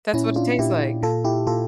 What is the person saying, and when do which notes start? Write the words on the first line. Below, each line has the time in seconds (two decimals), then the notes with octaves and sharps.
That's what it tastes like.
0.14 A#2 C#4 E4
0.36 D4 F4
0.59 A#2 E4 G4
1.03 A#2 F4 A4
1.24 E4 G4
1.47 A#2 F4 A4